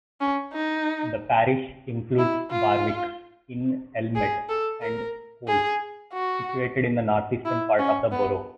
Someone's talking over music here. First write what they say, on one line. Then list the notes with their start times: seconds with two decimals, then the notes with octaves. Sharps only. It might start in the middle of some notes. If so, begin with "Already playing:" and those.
The parish includes Barwick-in-Elmet and Scholes, situated in the north-eastern part of the borough.
0.21 C#4
0.53 D#4
2.19 E4
2.51 F4
4.16 G#4
4.49 A4
4.82 A#4
5.48 G#4
6.13 F#4
7.45 E4
7.79 C#4
8.12 B3